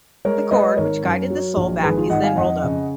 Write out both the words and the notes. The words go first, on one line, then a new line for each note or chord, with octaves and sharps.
The cord which guided the soul back is then rolled up.
G#3 A#4 C#5
G#3 B4 D#5
G#1 A#4 C#5
F#2
F#3
A#1
G#1 G#4 B4
F4 G#4
G#1 D#5 F#5
F5 G#5
F2 D#5 F#5
C#3